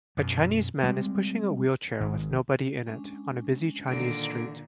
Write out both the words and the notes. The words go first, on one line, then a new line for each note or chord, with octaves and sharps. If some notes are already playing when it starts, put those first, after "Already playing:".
A Chinese man is pushing a wheelchair with nobody in it on a busy Chinese street.
F#2 B2
G3 G#3 C4
G#1 G#2
G#3 C#4 D4
A#2 D3 D#3 D7